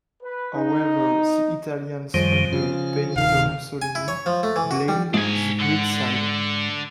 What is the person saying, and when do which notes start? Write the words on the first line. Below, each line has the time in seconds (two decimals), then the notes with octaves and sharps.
However, the Italians under Benito Mussolini, blamed the Greek side.
0.23 B4
0.55 D#4
2.14 F#2 D#3 F3 G3 G#3
2.53 C#3 F4
3.16 D1 C3 D#3 F5
3.82 G#5
3.95 E4
4.08 C#5
4.26 F3
4.43 A3
4.56 E3
4.71 F#4
4.88 G3
5.14 G#2 D4 G#5
5.59 D3 F#5